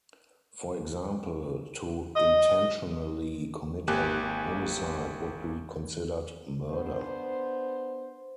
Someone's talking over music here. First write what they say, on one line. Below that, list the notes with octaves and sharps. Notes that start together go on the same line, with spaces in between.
For example, to intentionally commit a homicide would be considered murder.
D#5
G#1 A#3 G4 G#5 F#6
B3 D4 C5